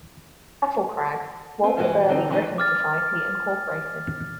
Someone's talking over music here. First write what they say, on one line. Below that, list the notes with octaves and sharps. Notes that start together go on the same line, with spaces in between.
Castlecrag: Walter Burley Griffin Society Incorporated.
B3 C4
G2 E3 G#3 F#4 B4 F#5
D3 G3 C4 D#4
E3 F#3 G#3 D#4 B4
D6 F6 A6